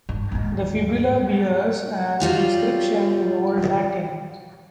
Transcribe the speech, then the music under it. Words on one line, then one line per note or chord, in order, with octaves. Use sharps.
The fibula bears an inscription in Old Latin.
G2
D#2 G#2
F#3 G3 F4 G4